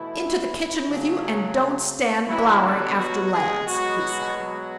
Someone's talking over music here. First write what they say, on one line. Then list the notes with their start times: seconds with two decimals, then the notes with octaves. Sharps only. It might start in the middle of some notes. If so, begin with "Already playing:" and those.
'Into the kitchen with you, and don't stand glowering after lads', he said.
Already playing: B2 E3 A3 E4
0.87 C#3 F#3 A3 C#4
2.27 B2 E3 F#3 B3 E4
2.62 D3 D4
2.97 F#3 F#4
3.32 G#3 G#4
3.67 B2 F#3 G#3 B3 F#4
4.37 F#3 F#4